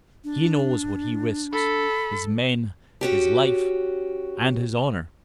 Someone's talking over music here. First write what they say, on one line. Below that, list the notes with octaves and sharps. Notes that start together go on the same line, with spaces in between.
He knows what he risks; his men, his life, and his honor.
D4
A4 B5
C#4 F#4 G4